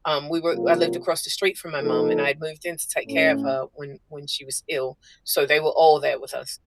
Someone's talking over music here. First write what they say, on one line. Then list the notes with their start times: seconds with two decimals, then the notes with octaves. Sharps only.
um, we were I lived across the street from my mom, and I had moved in to take care of her when when she was ill, so they were all there with us.
0.51 C3 F#3 A#3 F4
1.78 F3 A#3 D#4 A4
3.05 A2 A3 C#4